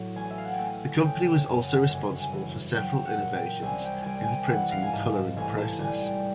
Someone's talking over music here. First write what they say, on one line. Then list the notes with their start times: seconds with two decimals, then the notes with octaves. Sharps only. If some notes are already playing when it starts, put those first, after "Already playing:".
The company was also responsible for several innovations in the printing and coloring process.
Already playing: A2 F#3
0.16 A1 G#5
0.30 E5
0.38 F5
0.44 F#5
0.52 G5
0.59 A3 G#5
1.02 C#3 G5
1.24 G5
1.46 F#2 G#5
1.68 F#5
1.89 G1 G#5
2.18 G#5
2.33 E3
2.76 F#3 G5
3.05 F#5
3.20 A#2
3.34 G5
3.62 C2 G#5
3.84 G5
4.02 C2 G5 G#5
4.21 G#5
4.28 G5
4.50 E3 F#5
4.72 F5
4.83 G#5
4.93 G#2 A5
5.15 A5
5.36 A1 G#5
5.58 A5
5.80 G3 G#5
6.02 G5